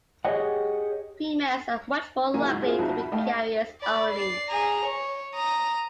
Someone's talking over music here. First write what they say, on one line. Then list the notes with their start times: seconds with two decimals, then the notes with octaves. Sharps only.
Females are much more likely to be carriers only.
0.25 G4 G#4 C#5 D#5 F#5
2.34 C#3 F#3 A#3 E4 F#4 G#5
2.48 G#2 G#6
2.62 C4 F4 F#4 G#4
2.79 C2 F2 D#4 F#4
2.98 B5
3.12 A3 D#5 F5 G5
3.81 D5 B5
4.11 D5 C7
4.49 G#4 A#5
4.85 C#5
5.35 A#5 D#6